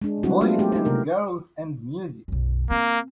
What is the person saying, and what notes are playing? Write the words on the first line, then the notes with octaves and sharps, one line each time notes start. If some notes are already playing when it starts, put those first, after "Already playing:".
Boys and girls and music.
G#3 D4
F#3 G3 C4 D4 E4 F#4
F#3 G#3 A3 B3 D4 F4
F#3 A3 C4 G4
D#4 G4
C3 A3 A#4
B1 F#2
A#3 C4